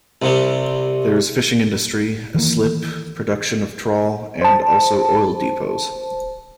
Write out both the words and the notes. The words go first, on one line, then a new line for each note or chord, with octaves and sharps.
There is fishing-industry, a slip, production of trawl and also oil-depots.
C2 C3 G3
D#3 E3 A#3
C5 A5